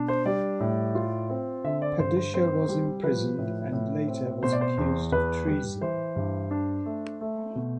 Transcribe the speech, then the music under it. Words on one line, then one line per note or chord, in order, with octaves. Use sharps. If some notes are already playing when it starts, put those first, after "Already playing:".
Padishah was imprisoned and later was accused of treason.
Already playing: B2 D4
C5
G3 D5
A2
F4
C4
D3 E5
D5
G2 C5
C5
C4 C5
G3
F3 B4
A2
A2
C4
B2 C5
D5
C5
E2
E2 B4
G3
E3 C5
G2
D4
A3
A3
B2